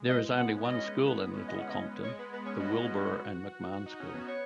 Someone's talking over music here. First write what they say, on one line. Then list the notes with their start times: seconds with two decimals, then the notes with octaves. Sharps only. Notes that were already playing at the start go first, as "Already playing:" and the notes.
There is only one school in Little Compton, the Wilbur and McMahon school.
Already playing: G#3
0.09 D#5
0.36 B3 F#5
0.51 C#4
0.64 C#4 D#5
0.78 B3
0.92 G#3
1.06 B3
1.20 B3
1.34 C#4
1.48 B3 D#5
1.59 F#5
1.69 D#5
2.04 G#3 C#5
2.19 B3 B4
2.33 B3 B4
2.46 C#4 C#5
2.60 F#4 D#5
3.72 F#4
3.86 D#4
4.00 C#4
4.14 B3
4.21 C#4
4.28 B3 C#5